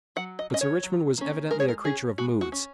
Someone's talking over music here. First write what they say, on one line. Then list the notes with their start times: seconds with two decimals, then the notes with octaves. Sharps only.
But Sir Richmond was evidently a creature of moods.
0.16 F#3 F#5
0.39 D#5
0.50 A#3
0.54 C#4 D#5
0.61 C#5
0.83 F#3
1.18 A#3 C#4
1.51 G#3 A#4
1.60 C#5
1.68 A#4
1.84 C#4 G#4
2.18 G#3 F#4
2.41 F#4
2.52 C#4